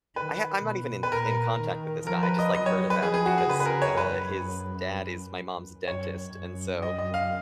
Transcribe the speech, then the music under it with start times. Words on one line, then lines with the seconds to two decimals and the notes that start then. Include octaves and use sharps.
I h I'm not even in t in contact with this guy. I just, like, heard about it because, uh, his dad is my mom's dentist, and so,
0.16 D#3 B4
0.64 B2
1.03 B4
1.12 A#2 A#4
1.59 D#3
2.07 F3 A#4
2.23 B4
2.39 D#5
2.54 F#3 D#5
2.66 C#5
2.90 B4
3.01 F3 G#4
3.14 G#4
3.26 F#4
3.38 G#4
3.49 C#3 B4
3.60 B4
3.66 A#4
3.82 C#5
3.97 F#2 B4
5.87 F#2 C#5
6.36 F#2
6.82 D#5
6.99 D#5
7.14 F5